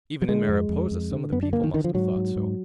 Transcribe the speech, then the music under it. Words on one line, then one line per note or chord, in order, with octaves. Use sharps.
Even in Mariposa some of the people must have thought so.
F#3
D3 G#3
F2
F2
F2
D3
F#2 B3
D4
D3 A#3
D#3
D3 D#3
F3
G#2 F#3
G#2
G#2